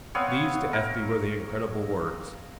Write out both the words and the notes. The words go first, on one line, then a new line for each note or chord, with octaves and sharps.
These to Ethne were the incredible words.
B3 C4 C#5 F5
A#4